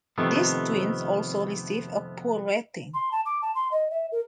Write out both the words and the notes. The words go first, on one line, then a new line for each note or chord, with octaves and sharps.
These twins also received a "poor" rating.
F2 C3 D#3 A3 B3
C6
A5
D6
A5
C6
D#5
E5
A#4